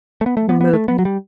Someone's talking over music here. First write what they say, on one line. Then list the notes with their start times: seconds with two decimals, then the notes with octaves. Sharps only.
You're moving.
0.21 A3
0.26 B3
0.37 A3
0.49 B3
0.61 B3
0.73 A3
0.88 B3
0.99 F#3
1.05 G3